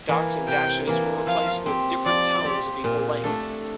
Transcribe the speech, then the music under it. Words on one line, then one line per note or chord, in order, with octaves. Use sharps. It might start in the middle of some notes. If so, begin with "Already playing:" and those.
Dots and dashes were replaced with different tones of equal length.
E3 A#3
C3 G5
E3 A#3
F3 F5
C4 G4
F3 D5
C4 G4
A#2
A3 D4 A4